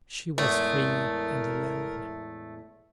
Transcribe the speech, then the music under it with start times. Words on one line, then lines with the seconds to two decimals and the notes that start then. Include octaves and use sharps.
She was free and alone.
0.38 E2 A2 G#3 A3 A#4